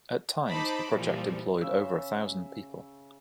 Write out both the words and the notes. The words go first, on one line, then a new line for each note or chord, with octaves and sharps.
At times, the project employed over a thousand people.
D#4 C5 A5 B5 D6
A#2 E3 F3 G3
C#3 E5 C#6